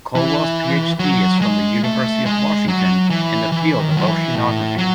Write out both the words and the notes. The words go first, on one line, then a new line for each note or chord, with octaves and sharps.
Colwell's Ph.D. is from the University of Washington in the field of oceanography.
E3
F#3
G#3
A3
G#3
F#3
E3
E3
D#3
F#3
E3
A2
F#3